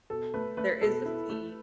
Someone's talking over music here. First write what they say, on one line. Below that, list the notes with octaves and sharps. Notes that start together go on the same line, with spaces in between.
There is a fee,
B2 A4
A3 B4
A3 B4
B2 A4
E4
A3